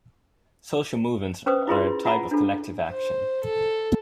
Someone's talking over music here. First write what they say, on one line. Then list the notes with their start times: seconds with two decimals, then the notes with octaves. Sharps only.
Social movements are a type of collective action.
1.46 C#4 B4 C5 D6 D#6
1.68 E4 F4 G#4 B4 C6
2.05 F4 F#5 G#5 A#5 B5
2.31 D4 A4
2.90 C5
3.44 A4